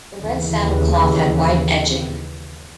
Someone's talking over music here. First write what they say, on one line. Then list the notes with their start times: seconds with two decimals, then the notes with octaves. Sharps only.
The red saddle cloth had white edging.
0.19 D#2 C#3 E3